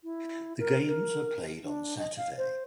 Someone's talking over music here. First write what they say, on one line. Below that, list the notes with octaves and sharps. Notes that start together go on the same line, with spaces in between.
The games are played on Saturday.
E4
A#4
A#4
D4
D#5
F5
C5